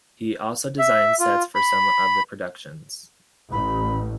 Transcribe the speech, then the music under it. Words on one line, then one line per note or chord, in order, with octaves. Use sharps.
He also designed sets for some of the productions.
E5
F4
B5
A1 B5